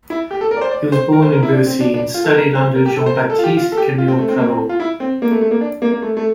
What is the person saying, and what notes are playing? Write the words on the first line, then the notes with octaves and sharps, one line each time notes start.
He was born in Bercy and studied under Jean-Baptiste-Camille Corot.
E4
G4
A4
A#4
D5
C5
D5
C5
A#4
C5
A#4
E4
D4
C4
D4
D4
F4
A4
A#4
C5
A#4
G4
A4
C5
A#4
A4
F4
G4
F4
A4
G4
F4
C4
A3
C4
A#3
C4
F4
E4
C4
A#3
A3
A3
A#3
D4
A#3
A#3
A3
A3